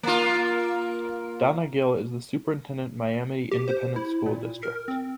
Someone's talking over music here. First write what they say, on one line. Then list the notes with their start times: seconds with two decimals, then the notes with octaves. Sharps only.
Donna Gill is the superintendent Miami Independent School District.
0.03 A#3 F4
3.52 G4
3.68 C5
3.96 E4
4.26 A#2
4.63 A#4
4.88 C4